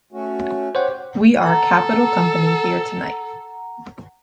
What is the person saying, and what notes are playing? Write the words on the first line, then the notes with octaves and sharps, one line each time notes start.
We are capital company here tonight.
A3 C#4 F#4
G4 C5 C#5 F#5
A4 F#5 A#5